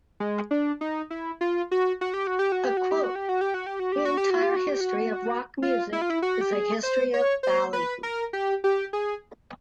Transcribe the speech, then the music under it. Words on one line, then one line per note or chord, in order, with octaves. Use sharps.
A quote: The entire history of rock music is a history of ballyhoo.
G#3
D4
D#4
E4
F4
F#4
F#4
G4
F#4
G4
F#4
G4
F#4
G4
F#4
G4
F#4
G4
F#4
G4
F#4
G4
F#4
G4
F#4
G4
F#4
G4
F#4
F4
E4
F4
E4
F#4
G4
G#4
C5
C#5
C5
B4
A#4
G4
G4
G#4